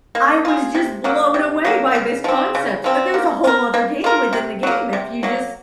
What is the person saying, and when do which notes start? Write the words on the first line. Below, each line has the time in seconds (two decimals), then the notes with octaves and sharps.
I was just blown away by this concept that there's a whole other game within the game if you just
0.15 A#3
0.45 F4 G#4
0.75 C3
1.04 F#3 A#3
1.34 C3
1.65 F#3 A#3
1.95 C#3
2.24 F3 C4
2.55 C#3
2.84 F3 C4
3.14 A#3
3.44 F4
3.47 A#4
3.74 A#3
4.04 F4 A#4
4.33 C3
4.63 F#3 A#3
4.93 C3
5.23 F#3 A#3